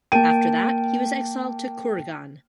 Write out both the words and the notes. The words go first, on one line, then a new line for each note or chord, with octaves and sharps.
After that he was exiled to Kurgan.
A#3 G5 A5 D#7